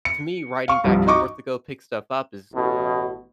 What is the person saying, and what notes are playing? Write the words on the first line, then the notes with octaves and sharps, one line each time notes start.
to me, riding back and forth to go pick stuff up is
C#7
F5 C#6
C2 G2 F3
D#4 F#4 D#5 C#6 D6
A1 B2